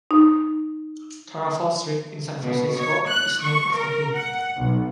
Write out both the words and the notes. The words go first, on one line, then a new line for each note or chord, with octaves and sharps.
Taraval Street in San Francisco is named after him.
D#4
B2
C#5
F#6
C#6
A#4
F#5
B1